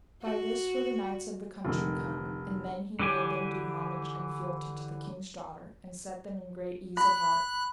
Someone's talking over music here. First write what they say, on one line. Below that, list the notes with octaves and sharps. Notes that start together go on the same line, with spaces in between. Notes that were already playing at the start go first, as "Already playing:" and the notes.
By this were the knights of the country come, and then he made them do homage and fealty to the king's daughter, and set them in great ease of heart.
F#4
F1 D3 D#3
D3 E3 G4 G#5
B5 F#6